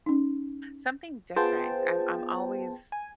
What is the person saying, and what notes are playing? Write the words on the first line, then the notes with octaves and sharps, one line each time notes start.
Something different. I'm I'm always
C#4 D#4
B3 F4 G#4 C5 G5 A5
G#5